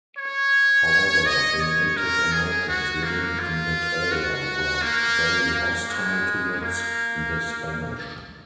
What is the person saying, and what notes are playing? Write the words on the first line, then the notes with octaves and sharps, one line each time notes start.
However, the Native Americans living in that area were very hostile towards the Spanish.
C#5
D#5
C#5
A#4
G#4
F#4
A#3
F4
F#4
A#3
A#3
G#3
A#3